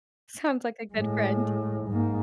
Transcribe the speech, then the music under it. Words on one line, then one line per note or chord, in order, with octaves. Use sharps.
Sounds like a good friend.
A2 G#3
G#2 A#3